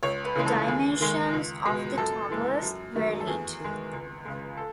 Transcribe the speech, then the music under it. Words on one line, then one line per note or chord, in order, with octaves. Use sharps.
The dimensions of the towers varied.
C#2 C#5
B4
C#3 E3 G#3
A4
D#2 G#4
D#3 G#3
C#2
B2 G#3
F#2 A4
E3 G#3
F#2
D#3 F#3 A3
A4
E2 G#4
D#3 G#3
C#2
C#3 G#3
A4